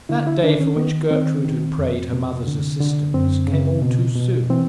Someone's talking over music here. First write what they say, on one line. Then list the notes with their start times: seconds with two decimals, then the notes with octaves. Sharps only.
That day for which Gertrude had prayed her mother's assistance came all too soon.
0.09 D3 E4
0.27 E4
0.43 D#3 D4
0.60 C#4
0.77 D#3 B3
1.11 D#3 C4
1.45 D#3
1.78 F2
2.13 C3
2.47 D3
2.80 D3
3.14 F#2 C4
3.48 C#3
3.82 B2
4.15 B2
4.50 E3 C4